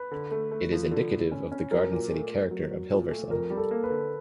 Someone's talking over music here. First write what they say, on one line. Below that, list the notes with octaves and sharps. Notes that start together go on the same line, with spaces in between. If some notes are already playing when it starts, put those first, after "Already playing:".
It is indicative of the garden-city character of Hilversum.
Already playing: B4
D3
A3
A3
F3
D3
A3
C#4
C#4
F#3 A#4
A#2
A3
A3
F#3
F#3
A#2
A3
F2 A#4
G3
A4
A#3
B4
D3